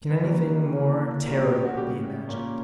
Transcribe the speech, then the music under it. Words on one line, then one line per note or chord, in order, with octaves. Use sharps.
Can anything more terrible be imagined?
B4
E3 G3 A#3 C#4
E3 A#3 C#4
A#2 G3 C#4 A#4
G4
G4
F#4
C#3 G3 C#4 G4
A#2 A#3 C#4